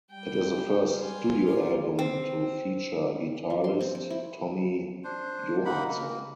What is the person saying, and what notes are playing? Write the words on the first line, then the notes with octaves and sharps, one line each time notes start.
It is the first studio album to feature guitarist Tommy Johansson.
G3 G5
F4 G#5
E4 G4 A#4 D5
C4
F3
C6
C4
C4
E4
D4 C5
A#3 D#4 F#5 B5
A#3